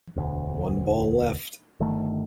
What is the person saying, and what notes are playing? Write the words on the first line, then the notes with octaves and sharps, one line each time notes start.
One ball left.
E1 D2
G1 D#3 A3